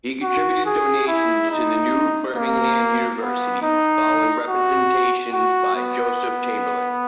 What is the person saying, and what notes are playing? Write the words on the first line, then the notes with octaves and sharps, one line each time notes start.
He contributed donations to the new Birmingham University following representations by Joseph Chamberlain.
F#4
G#4
E4
D#4
A#3
B3
D#4
F#4
F#4
B3